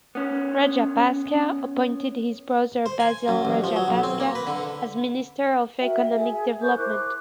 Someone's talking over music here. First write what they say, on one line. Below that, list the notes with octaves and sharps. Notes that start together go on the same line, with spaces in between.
Rajapaksa appointed his brother Basil Rajapaksa as minister of Economic Development.
B3 C#4
C5
G#5
F#2
A1
F3
F#3
B1
C4
A#3
B4
D3
F#4 A#4 E5 G5
G#4 E5
A#4 C5 C#6 G6
E4 C5 D6 F#6